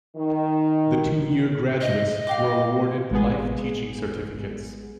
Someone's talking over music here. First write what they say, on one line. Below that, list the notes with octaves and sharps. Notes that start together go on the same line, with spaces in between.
The two-year graduates were awarded life teaching certificates.
D#3
D#5
F5 G5 D6
A1 G#3 B3 G#4